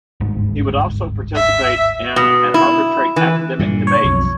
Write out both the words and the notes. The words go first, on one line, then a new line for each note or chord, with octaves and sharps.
He would also participate in and arbitrate academic debates.
G1 D2 G#2
E5
B2
E4
E3
G2 A#2 D3
C#5
B1 F2